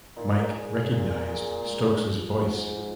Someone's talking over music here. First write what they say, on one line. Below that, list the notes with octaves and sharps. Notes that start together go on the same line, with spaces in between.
Mike recognized Stokes's voice.
A#2 D#4
G#2
A#2
G#4
A#2 G#4
G#4
G#3
F3
G#2 G#3
F3